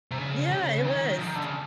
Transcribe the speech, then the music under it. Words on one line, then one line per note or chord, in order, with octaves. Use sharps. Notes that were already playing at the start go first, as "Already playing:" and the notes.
Yeah, it was.
C3
C#3
C#3
D#3
F3
D#3
D3
C#3